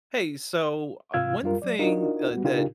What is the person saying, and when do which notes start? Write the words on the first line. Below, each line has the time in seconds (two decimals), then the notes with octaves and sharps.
Hey, so, uh, one thing, uh, that
1.14 G#2 C3 F4 F5 E6 G#6
1.43 F#2 G3 F4 A#4
1.62 F#3 D5
1.79 D4 D#4 F4 F#4 A#4 D#5
2.32 G3 B3 F#4
2.44 C#3 D4 D#4 F4 G4 A#4